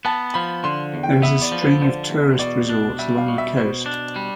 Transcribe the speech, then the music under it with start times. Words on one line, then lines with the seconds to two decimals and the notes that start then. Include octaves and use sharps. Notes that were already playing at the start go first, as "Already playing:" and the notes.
There is a string of tourist resorts along the coast.
0.05 B3 A5
0.34 F3 B5
0.64 D3 C6
0.94 E2
1.03 G5
1.22 B3 E5
1.42 D5
1.52 F3
1.62 C5
1.81 D3 C5
2.10 E2
2.39 B2 D5
2.70 D4
2.99 G3 E5
3.18 F5
3.28 B2
3.38 E5
3.57 B2 C5
3.86 D4
4.16 G3